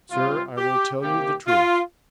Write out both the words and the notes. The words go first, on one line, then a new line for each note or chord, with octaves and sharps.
'Sir, I will tell you the truth.
C3 G3 C4 F4
G4
C3 D#3 A#3 G4
F4